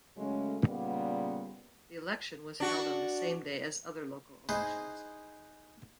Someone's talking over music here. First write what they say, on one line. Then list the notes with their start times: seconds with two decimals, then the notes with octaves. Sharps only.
The election was held on the same day as other local elections.
0.17 C#3 F#3 G#3 A3 C#4
0.66 A#2 C#3 G3 A#3 B3
2.60 D4 F#4
4.49 D#4 E4 G#4 B4 C5